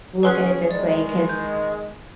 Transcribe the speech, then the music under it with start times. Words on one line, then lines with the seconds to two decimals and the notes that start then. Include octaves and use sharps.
look at it this way 'cause
0.23 F#3 C#4 G#4 B4 C6 F#6
0.71 D#3 G#3 D5
1.29 G6